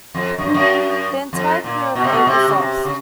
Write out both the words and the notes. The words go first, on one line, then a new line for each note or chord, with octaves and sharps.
The entire crew of eight was lost.
F2
F#2
G2
F#2
F2
A#2
B2
C3
B2
C3
C#3
C3
C#3